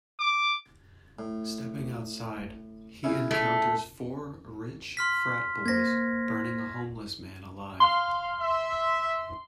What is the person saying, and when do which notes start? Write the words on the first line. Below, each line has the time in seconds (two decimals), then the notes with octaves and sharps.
Stepping outside, he encounters four rich frat boys burning a homeless man alive.
0.19 D6
1.19 A2
3.04 C#3 C#4 E4
3.31 A3
4.97 C6 F6 B6
5.66 A#3 C5 G#6 A#6
7.80 F5 C6
8.40 E5